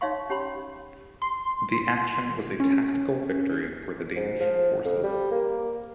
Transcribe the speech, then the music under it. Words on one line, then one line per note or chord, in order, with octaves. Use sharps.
The action was a tactical victory for the Danish forces.
D#4 C#5 E5 F5 C6 C#6
C#4 G4 C#5 B5 C6
C6
C#4
G#2
F3
F2
G3
A#3